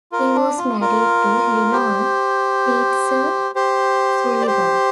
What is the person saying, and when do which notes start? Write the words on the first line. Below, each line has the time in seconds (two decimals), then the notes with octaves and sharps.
He was married to Leonor Kretzer Sullivan.
0.12 F4 A#4
0.35 D4
0.58 F4
0.81 F4 A#4
1.73 G4 C5
3.55 G4 C5
4.42 D5
4.47 G4 C5